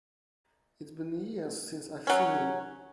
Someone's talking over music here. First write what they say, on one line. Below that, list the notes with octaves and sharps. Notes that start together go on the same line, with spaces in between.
It's been years since I've seen you!
F#3 C#4